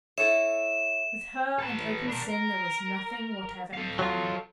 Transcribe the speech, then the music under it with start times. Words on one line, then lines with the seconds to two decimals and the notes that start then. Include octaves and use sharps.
With her and open sin there was nothing whatever in common.
0.18 E4 A4 C#5 E5 C#7 E7
1.59 A4 B4
2.08 D4 A#4
2.28 A#4
3.74 A4 F5
3.99 F#3 F4